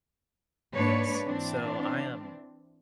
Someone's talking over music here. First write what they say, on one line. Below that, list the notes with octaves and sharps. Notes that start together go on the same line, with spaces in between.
Yes. So I am
G#2 A#3 D4 B4 C#5
E3 C4 D4